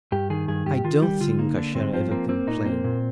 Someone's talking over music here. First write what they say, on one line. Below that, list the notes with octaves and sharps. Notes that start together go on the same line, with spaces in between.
I don't think I shall ever complain.
G2 G4
D#3 G#4
G2 G#4
G2 G4
D#3 F4
G3 G4
D3 F4
A#3 D#4
D3 D4
G2 C4
F3 C4
A#3 C4
A#3 C4
A#2 D#4
A#3 C4
A#2